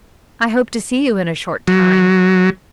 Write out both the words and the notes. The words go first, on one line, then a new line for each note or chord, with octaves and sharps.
I hope to see you in a short time.
F#3